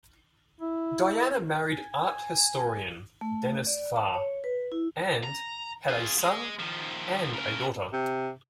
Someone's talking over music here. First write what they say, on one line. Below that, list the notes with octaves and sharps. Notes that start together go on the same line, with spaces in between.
Diana married art historian Dennis Farr, and had a son and a daughter.
E4
G#5
A3
D5
A5
C#5
B4
E4
A#5
F4 G#4
G#3
D#3 F3
C#3 A#4
C3